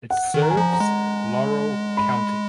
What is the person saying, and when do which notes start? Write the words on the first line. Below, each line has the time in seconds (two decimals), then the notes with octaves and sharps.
It serves Laurel County.
0.10 F#5
0.34 D#3
0.42 A#5
0.50 G#5
0.57 F3 A#5
0.73 A#5
0.80 G#3
1.97 B5